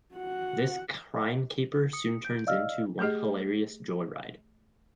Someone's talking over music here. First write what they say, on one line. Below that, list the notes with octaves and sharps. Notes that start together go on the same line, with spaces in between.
This crime caper soon turns into one hilarious joy ride!
F#4 F#5
D#6 C#7
G6 D7
D5 D#5 F5 E6 F6
A3 G4 G#4 D#5